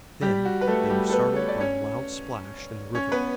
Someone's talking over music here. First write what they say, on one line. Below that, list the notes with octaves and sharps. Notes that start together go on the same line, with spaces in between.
Then they were startled by a loud splash in the river.
G3 G4
F#4
B4
A3 A4
G3 G4
A4
B3 B4
C#5
D5
C#4 C#5
C#4 C#5
B3 B4